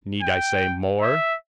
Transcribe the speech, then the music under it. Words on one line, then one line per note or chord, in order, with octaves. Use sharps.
Need I say more?
G5
E5